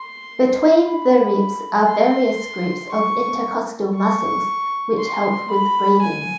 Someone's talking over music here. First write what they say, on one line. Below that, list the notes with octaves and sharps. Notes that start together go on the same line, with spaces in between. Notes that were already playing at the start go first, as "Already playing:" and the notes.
Between the ribs are various groups of intercostal muscles, which help with breathing.
Already playing: C6
B5
C6
C#6
C#6
C6
B5
G#5